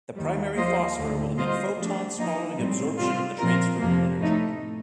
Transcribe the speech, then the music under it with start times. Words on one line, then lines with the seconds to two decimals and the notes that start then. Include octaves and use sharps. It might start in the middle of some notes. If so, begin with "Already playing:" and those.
The primary phosphor will emit photons following absorption of the transferred energy.
0.16 D#2 D#3 G3
0.57 F3 A#3 F4 C5 D#5
0.97 D2 D3 A3
1.37 G3 A#3 F4 C5 D#5
1.78 F3 A3 D4
2.17 F3 A#3 D#4
2.58 A2 G3 C4
2.98 C3 G3 C4 F4
3.38 A#2 F3 C4 F4 A#4
3.79 F2 C3 F3 A#3
4.19 A2 A3 D#4